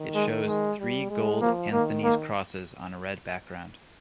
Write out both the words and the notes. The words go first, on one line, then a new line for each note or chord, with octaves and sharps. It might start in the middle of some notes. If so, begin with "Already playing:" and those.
It shows three gold Anthony's crosses on a red background.
Already playing: D#3
G#3
G#3
G3
G#3
F3 A#3
D#3 A#3
A#3